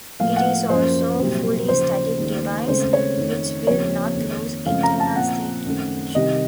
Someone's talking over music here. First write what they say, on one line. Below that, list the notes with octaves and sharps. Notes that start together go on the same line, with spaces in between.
It is also a fully static device, which will not lose internal state information.
A2 F3 A#3 F5
F#5
F#2 F3 A#3 C5
C2 A#2 F#3 C4
D#2 C#3 F3 C5
D#2 D#3 A3
C#2 C#3 A3 C4 C5
C#5
F2 D#3 A3
D#2 C#3 F3 C4 C#5
F2 D#3 A#3
F#2 C#3 F3 A3 C4 F5
A#5
A5
A#2 F3 C4 F#5
F#2 D#3 A3 C4
C2 C3 D#3 D#5